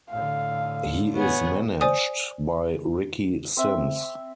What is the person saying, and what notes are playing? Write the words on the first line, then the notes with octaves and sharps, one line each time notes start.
He is managed by Ricky Simms.
A2 D3 F5
B3 G#4 C#5
C5 D5 G#5 D#6
C4 E5